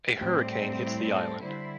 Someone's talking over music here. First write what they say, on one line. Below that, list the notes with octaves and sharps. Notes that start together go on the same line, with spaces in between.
A hurricane hits the island.
A2 G3 C4 G4
G4
E4
A4
D3 G3 E4 C5